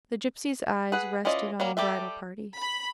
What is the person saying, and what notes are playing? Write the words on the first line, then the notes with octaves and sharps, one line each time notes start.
The gipsy's eyes rested on the bridal party....
G#4 B4 F#5
E3 C#4 F4 D5 D#5
F#3 G3 A#3
G3 G4 A4 E5
B5